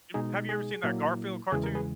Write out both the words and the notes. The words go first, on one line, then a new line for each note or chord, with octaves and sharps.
You have ever seen that Garfield cartoon?
B2 G#3 D#4 G#4
G#4
A#2 F#3 A#3 E4
E2 C#3 E3 G#3 G#4
A#4
G#4 B4